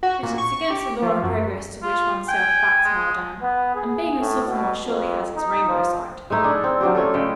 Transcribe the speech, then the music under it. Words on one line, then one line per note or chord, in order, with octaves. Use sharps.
"But it's against the law of progress to wish one's self back," smiled Anne, "and being a sophomore surely has its rainbow side."
F#4
A#2
C#6
G4
F3
F#2
F4
G5 G#5
G#3
B3
G#4
A2
B2
F2
D#4
F3
G#3 A3 D#4 E4
D4 G#4 A4
C4
F#3 D4 F4 G4
A3 C#4 F4 A4
C#3 G#3 A3 G5